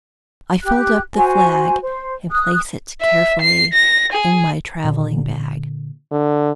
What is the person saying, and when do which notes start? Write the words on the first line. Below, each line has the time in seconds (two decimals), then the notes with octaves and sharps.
I fold up the flag and place it carefully in my traveling-bag.
0.63 G4 F#6
1.14 F#4 C5 G#5
1.81 C5
2.31 D#6 F#6
3.02 E5
3.42 C7
3.73 A#6
4.13 G#4
4.84 A#2 D3
6.12 D3